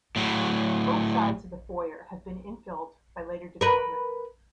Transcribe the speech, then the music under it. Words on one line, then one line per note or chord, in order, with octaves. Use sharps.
Both sides of the foyer have been infilled by later development.
A2 F#3
A#4 B4